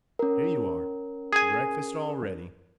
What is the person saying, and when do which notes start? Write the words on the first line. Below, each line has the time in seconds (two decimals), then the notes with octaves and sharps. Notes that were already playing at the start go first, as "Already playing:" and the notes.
Here you are, breakfast all ready!
0.19 C#4 A#4
1.33 G#4 G#5